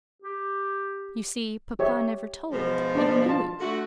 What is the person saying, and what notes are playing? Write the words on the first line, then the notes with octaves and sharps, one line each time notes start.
You see, papa never told, even you.
G4
G4 C#5 E5
G#2 B2 F3
D4 D5
F4 A5
D3 A3 F#4